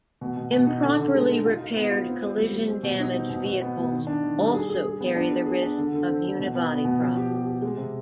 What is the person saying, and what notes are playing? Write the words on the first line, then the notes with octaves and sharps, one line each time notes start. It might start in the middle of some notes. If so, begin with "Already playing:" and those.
Improperly repaired collision-damage vehicles also carry the risk of unibody problems.
B2
B2
B2
D#4
D3
D3
G#3
D#4
F4
F4
B3
F4
C4
C4
G3
G3
C4
B2
D#4
C4
B2
B2
B3
B2
D#3
D4
D#3
G3
G#4
G#4
G#4
B3
D4
G#4
G#4
D4
D3
D3
C4
D3
B2
B3
B3
B2
F3
G4
G4
G4
G#3
C3